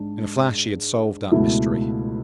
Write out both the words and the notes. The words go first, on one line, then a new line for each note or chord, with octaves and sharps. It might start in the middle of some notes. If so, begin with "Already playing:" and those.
In a flash he had solved that mystery.
Already playing: G#2 G#3 D4
C#2 B2 A3 E4